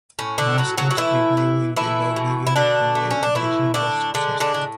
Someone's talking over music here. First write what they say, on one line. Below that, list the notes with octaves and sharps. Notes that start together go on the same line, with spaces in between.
Nannskogs debut in the Norwegian Premier Division was successful.
A2 C#4
D3 D4
A2 F#3 F#4
F#3 F#4
F#4
A2 E3 E4
E3
E3 A3 E4
B2
E4
B2 D3 D4
A3
C#4
D4
A2 E3 E4
A2 D3 D4
D3 G#3 D4
D3 D4
A2